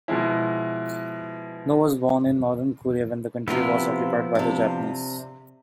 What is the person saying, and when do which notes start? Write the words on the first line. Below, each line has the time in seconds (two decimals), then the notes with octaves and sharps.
No was born in northern Korea when the country was occupied by the Japanese.
0.08 B2 F3 G#3 E4
3.48 C3 F3 B3 E4 F4 G4
4.35 C3 D4